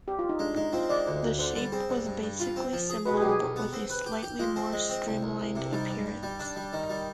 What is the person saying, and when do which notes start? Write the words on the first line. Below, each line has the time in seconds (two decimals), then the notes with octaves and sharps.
The shape was basically similar but with a slightly more streamlined appearance.
0.08 G4
0.19 F4
0.29 D#4
0.39 G#3 D4
0.56 G#3 D#4
0.73 C4 F4
0.89 G#3 D5
1.06 D2
1.23 D2
1.39 D3 C5
1.56 G3
1.72 C4 G#4
1.89 G2
2.06 G2
2.23 G2
2.40 F4
2.56 C4
2.73 F3
2.89 G#4
3.05 B2 B4
3.14 G#4
3.21 B1 G4
3.28 G#4
3.40 B1
3.56 B3
3.73 C4
3.90 B4
4.06 G4
4.23 G4
4.39 G#3 F4
4.56 C4
4.72 G#3
4.89 C4
5.06 C2
5.23 C2
5.39 C2
5.55 C3
5.73 G3 D#4
5.90 G2
6.06 G2
6.23 G3
6.39 D4
6.56 G3
6.73 D#3
6.90 G3